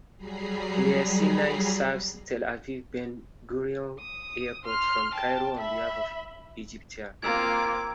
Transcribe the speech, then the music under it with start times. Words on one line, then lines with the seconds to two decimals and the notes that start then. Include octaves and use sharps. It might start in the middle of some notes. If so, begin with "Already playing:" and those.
Air Sinai serves Tel Aviv-Ben Gurion Airport from Cairo on behalf of Egyptair.
0.17 F#3 G3 G#4 A#5 B5 C7
4.00 D#6
4.65 C6 F6
5.14 G5 A5
5.58 E5 B5
7.22 A#3 C4 F4 A#5 D6 E6 G#6